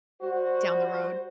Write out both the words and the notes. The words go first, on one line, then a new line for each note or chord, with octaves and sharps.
down the road?
G3 F#4 C5